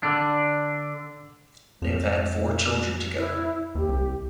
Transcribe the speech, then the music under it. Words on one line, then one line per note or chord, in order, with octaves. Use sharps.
They have had four children together.
D3 D4
F2
E4
D#2 G4
C2